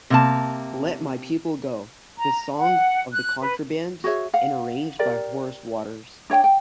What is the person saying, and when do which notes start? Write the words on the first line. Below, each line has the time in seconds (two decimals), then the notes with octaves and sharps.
Let My People Go: The Song of the Contrabands, and arranged by Horace Waters.
0.10 C3 A#3 A5
2.18 A#5
2.59 F#5
3.12 F#6
3.42 B4
4.04 F#4 G#4 C#5 E5
4.34 F5 F#5
4.99 G4 A#4 D5
6.30 D4 C#5 E5 G5
6.44 G5